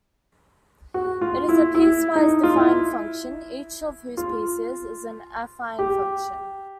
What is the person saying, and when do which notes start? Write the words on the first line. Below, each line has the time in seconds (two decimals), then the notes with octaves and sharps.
It is a piecewise-defined function, each of whose pieces is an affine function.
0.94 F#4
1.21 F4
1.49 E4
1.75 E4
2.16 D#4
2.43 F4
2.56 E4
4.17 F4
5.79 G4